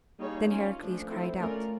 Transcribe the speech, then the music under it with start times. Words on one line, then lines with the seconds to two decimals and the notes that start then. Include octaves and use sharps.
Then Heracles cried out.
0.19 G3 A#3 D#4 G#4 C#5
0.49 A#3 C#4 F4
0.79 F3 A3 D4
1.09 C4 E4 A4 C5
1.40 A3 C#4 F4 A#4 D5